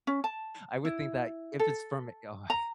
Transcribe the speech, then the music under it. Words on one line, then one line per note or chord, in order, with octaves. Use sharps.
I would think that if it's from a guy
C#4
A5
E4
A4
A#5